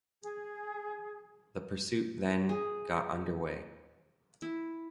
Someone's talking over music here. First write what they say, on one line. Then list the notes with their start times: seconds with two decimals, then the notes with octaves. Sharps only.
The pursuit then got under way.
0.22 G#4
2.49 G#4
4.42 E4